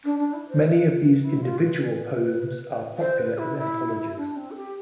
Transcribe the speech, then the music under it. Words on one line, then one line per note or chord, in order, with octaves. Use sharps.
Many of these individual poems are popular in anthologies.
D4
D4
E4
C5
B4
E4
F4
B4
C5
B4
E4
E4
D4
C4
A4
G4